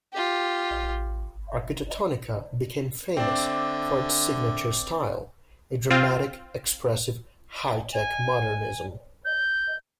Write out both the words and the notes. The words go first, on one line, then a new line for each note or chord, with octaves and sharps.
Arquitectonica became famous for its signature style: a dramatic, expressive "high-tech" modernism.
F4 G4
D3 C4 D4 E5 D6
C4 F4
G#5
G6